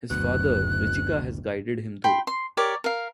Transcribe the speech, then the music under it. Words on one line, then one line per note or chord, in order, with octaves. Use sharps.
His father, Richika had guided him though.
F#1 D2 B2 F#6
G5 B5 C6
C6
G4 A#4 C#5 D5
A#4 F5